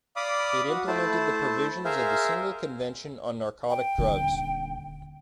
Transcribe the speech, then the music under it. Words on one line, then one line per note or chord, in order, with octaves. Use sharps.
It implemented the provisions of the Single Convention on Narcotic Drugs.
D5 F5 B5 D6 D#6
F#4
A3 E4 C5 A5
G#4 A#4 C5 E5 F5
G5
D#1 D3